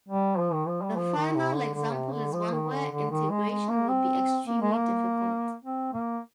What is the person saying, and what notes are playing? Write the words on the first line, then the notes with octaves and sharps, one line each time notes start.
The final example is one where integration would be extremely difficult.
G3
F3
D#3
F3
G3
F3
D#3
C3
D3
D3
C3
D3
F3
D#3
D3
D3
D#3
G#3
G#3
A#3
C4
A#3
G#3
A#3
C4
A#3